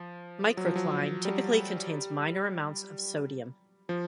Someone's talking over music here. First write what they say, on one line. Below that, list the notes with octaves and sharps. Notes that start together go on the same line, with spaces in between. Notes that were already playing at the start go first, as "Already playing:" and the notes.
Microcline typically contains minor amounts of sodium.
Already playing: F3
F#3
F3
F#3
G3
F3